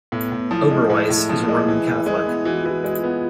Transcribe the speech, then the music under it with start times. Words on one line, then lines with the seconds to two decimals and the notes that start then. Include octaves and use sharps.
Oberweis is a Roman Catholic.
0.12 A2 B3
0.32 A2
0.51 F3 E4
0.70 G#3
0.90 A2 E4
1.10 A2
1.29 F3
1.48 G#3
1.68 E3
1.87 E3
2.06 G#3
2.27 B3
2.45 E3 F#4
2.60 E3 F4
2.71 F#4
2.84 G#3
2.97 F4
3.04 B3